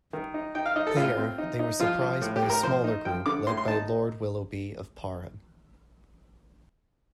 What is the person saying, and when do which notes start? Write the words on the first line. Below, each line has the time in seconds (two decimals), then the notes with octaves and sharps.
There, they were surprised by a smaller group led by Lord Willoughby of Parham.
0.13 D#3
0.34 D#4
0.55 D#4 G5
0.66 F5
0.76 D#4 D#5
0.87 A4
0.97 A2 F4
1.18 C4
1.38 D#4
1.59 D#4
1.80 F3 F4
2.01 F3
2.21 A2
2.36 G4
2.42 A2
2.50 A#4
2.63 F3 C5
2.84 D#4
3.05 F3 G5
3.26 D3 D6
3.47 A2 C6
3.57 C6
3.68 D#4 A5